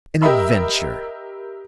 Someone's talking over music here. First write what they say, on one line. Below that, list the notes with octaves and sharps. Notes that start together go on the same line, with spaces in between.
An adventure!
G4 A#4 D#5 E5 B5 E6